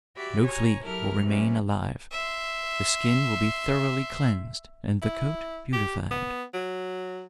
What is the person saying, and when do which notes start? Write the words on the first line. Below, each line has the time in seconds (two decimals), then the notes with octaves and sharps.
No flea will remain alive; the skin will be thoroughly cleansed, and the coat beautified.
0.17 F#4 G4 D5 E5 B5
0.46 C#5 G#5 A#5
0.83 F#3 E4 G4 A4 A#4 F6
1.23 C3 F#3 G3 B3 C#4
2.12 E5 C6
5.02 E4
5.73 G4
6.11 B3
6.54 F#3